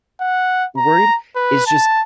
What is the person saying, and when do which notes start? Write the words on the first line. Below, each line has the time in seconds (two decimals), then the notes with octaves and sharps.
worried, is just
0.20 F#5
0.77 A#5
1.36 B4
1.67 A5